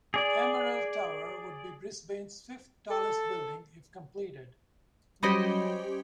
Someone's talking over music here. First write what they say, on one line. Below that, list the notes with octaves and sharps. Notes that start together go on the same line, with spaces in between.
Emerald Tower would be Brisbane's fifth tallest building if completed.
G#4 D5
A4
F#3 G3 C#4 G4 C5 D#5 B5